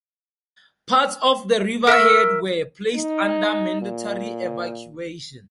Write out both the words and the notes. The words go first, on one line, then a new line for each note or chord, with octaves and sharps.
Parts of Riverhead were placed under mandatory evacuation.
A#4 E5 C#6 E6
D#4
A#2